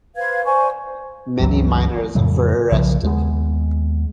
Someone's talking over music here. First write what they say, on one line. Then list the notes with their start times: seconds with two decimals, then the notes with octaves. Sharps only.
Many miners were arrested.
0.16 B4 C5 F5 G#6
0.45 C5 D5 G#5 C#6
1.40 G1 C#2 E3 F#3
2.15 F2 A2 C#3 F#3
2.72 B1 C#3 F3
3.03 D#2 G#3 B3